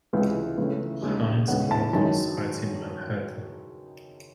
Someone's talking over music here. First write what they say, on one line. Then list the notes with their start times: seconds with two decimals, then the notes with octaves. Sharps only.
Heinz currently resides in Manhattan.
0.13 C#2 C3 E3 G#3
0.58 C#2 C#3 E3 A3
1.02 D#2 C#3 G#3
1.48 E2 C#3 E3 G#3 F#5
1.71 A5
1.93 F#2 D#3 G#3 A5